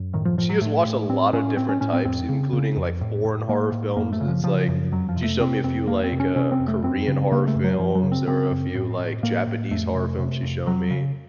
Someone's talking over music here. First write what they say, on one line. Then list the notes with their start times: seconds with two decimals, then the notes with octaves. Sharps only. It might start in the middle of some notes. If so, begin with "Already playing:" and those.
She has watched a lotta different types, including, like, foreign horror films, it's like she showed me a few, like, uh, Korean horror films or a few, like, Japanese horror films she's shown me,
Already playing: F#2
0.13 A2 D#3
0.25 F3
0.38 A2 F3
0.49 F#3
0.61 A2 A3
0.85 A2
1.09 A2 C4
1.33 A2 C#4
1.57 A2 C4
1.69 C#4
1.81 A2 C#4
1.93 C4
2.05 F2 C4
2.29 C#3
2.53 C#3
2.77 F2
3.01 A2
3.25 A2
3.49 A2 A#3
3.72 A2
3.96 F#2 A#3
4.12 A3
4.21 C#3
4.28 F3
4.44 C#3 F3
4.68 F#2
4.92 F2 F#3
5.09 F3
5.16 C3
5.24 A3
5.40 C3 C4
5.64 F2 C4
5.88 F2 A#3
6.04 C4
6.12 C3
6.20 C#4
6.36 C3 C#4
6.52 C4
6.60 F2
6.68 A3
6.84 F#2 C4
7.07 C#3
7.31 C#3 A#3
7.48 A3
7.55 F#2
7.64 F#3
7.79 F#2 F3
7.95 F#3
8.03 C#3
8.12 C4
8.27 C#3 C4
8.51 F#2
8.75 A2
8.99 A2
9.23 A2 A#3
9.47 A2
9.71 F2 A3
9.95 C3
10.18 C3
10.43 F2
10.66 F2 F#3
10.91 C#3